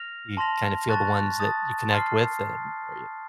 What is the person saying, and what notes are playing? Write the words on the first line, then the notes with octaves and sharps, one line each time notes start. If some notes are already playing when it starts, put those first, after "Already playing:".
you kinda feel the ones that you connect with that or you
Already playing: F6 A#6 F7
A5 C6 F6 A#6 F7
A5 C#6 F#6 A6
A5 D#6 A6
A5 C6 F6 C7